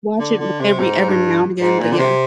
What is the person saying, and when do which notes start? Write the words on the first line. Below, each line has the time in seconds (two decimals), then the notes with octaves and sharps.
Watch it o every every now and again, but yeah.
0.19 D3
0.39 D3
0.59 C3
0.79 G#2
1.08 G2
1.59 G#2
1.79 A#2
1.92 D3
1.99 C3